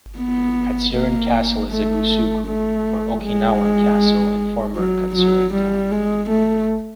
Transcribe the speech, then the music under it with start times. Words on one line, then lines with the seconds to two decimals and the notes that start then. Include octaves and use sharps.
Katsuren Castle is a gusuku, or Okinawan castle, in former Katsuren Town.
0.17 B3
0.93 A#3
1.70 A3
2.47 A3
3.23 G#3
4.76 F#3
5.15 F#3
5.54 G3
5.91 G#3
6.29 A3